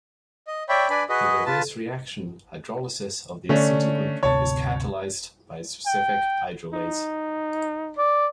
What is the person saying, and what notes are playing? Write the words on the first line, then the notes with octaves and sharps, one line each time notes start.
The reverse reaction, hydrolysis of the acetyl group, is catalyzed by a specific hydrolase.
D#5
C#5 D5 E5 G5 B5
D4 B4 D5 G#5 B5
F#4 G#4 B4 D#5
F4 B4 A5
D3 A3 C#4 D4
G1 D2 C3 C#5 A5
G5
D#4
D5